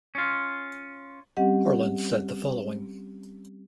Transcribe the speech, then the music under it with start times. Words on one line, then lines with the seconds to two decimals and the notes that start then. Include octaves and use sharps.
Harlan said the following.
0.15 C#4 F4
1.37 G3 C4 C#4 G4 D#5 F#5